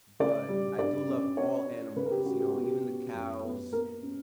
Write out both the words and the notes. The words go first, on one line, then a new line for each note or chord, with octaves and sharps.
but I do love all animals, you know, even the cows,
C#3 D5
G3
G2 D5
C#4
C#4 C#5
C#4
C#3 B4
A#4
G4
C#4 F#4
G4
B3 F#4
G4
B3
F#2
B3
A#3 A#4
C#4